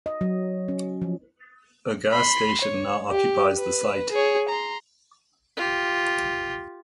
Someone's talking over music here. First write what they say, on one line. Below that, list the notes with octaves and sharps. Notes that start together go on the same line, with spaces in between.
A gas station now occupies the site.
D#5
F#3
C#4
F3
B5 C6
C#5
G4
B4
G#4 C#5
A#5 C6
F4 G4